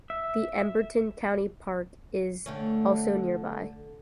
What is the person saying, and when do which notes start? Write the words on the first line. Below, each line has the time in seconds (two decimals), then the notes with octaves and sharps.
The Emberton Country Park is also nearby.
0.10 E5
2.46 D3 A3 C#4